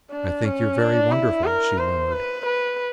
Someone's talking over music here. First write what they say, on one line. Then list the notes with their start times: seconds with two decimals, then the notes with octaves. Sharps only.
"I think you're very wonderful," she murmured.
0.11 D4
0.45 C#4
0.78 D4
1.12 E4
1.45 A#4
1.78 C5
2.12 B4
2.46 B4